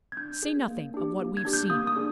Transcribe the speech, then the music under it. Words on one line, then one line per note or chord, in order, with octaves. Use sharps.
Say nothing of what we've seen.
G#6
D4 G6
G#4
A#3
D4 G4
A#3
G#6
D4 G4
G6
A#3 D#6
D#6
D4 G#4